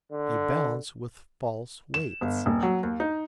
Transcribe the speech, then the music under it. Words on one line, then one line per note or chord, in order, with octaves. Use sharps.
A balance with false weights.
D3
E7
G1
D#1
F#3
D#2
D#4